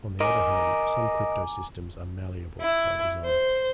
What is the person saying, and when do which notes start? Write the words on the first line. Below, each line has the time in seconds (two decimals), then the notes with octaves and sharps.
On the other hand, some cryptosystems are malleable by design.
0.20 A#4 D#5 G#5 A#5 D6
2.60 E4
3.24 C5